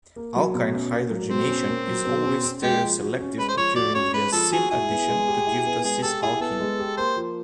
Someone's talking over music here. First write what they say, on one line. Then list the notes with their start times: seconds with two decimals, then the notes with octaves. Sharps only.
Alkyne hydrogenation is always stereoselective, occurring via syn addition to give the cis-alkene.
0.16 A#3
0.36 F#3
0.54 B2
0.73 C#4
0.92 A#3
1.11 F#3
1.30 B2 C4
1.49 C#4
1.68 A#3
1.87 F#3
2.06 B2
2.25 C#4
2.44 C#4
2.62 G#3 G4
2.82 F3
3.00 F#4
3.20 C#4
3.39 G#3 B4
3.48 C5
3.57 F3 C#5
3.76 F#4 D5
3.95 C#4 C#5
4.14 G#3 B4
4.32 F3 A4
4.51 F#4 G#4
4.71 E4 G#4
4.90 B3
5.09 G#3
5.28 G4
5.47 E4
5.66 B3
5.84 G#3 G#4
6.03 G4 A4
6.23 E4 G#4
6.40 B3 A4
6.60 G#3
6.79 G4
6.97 A#3 C5
7.16 F3